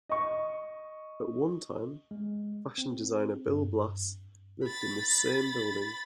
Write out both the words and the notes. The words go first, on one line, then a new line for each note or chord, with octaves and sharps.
At one time, fashion designer Bill Blass lived in this same building.
D#5 C#6
G#3
C4
G2
B5 A6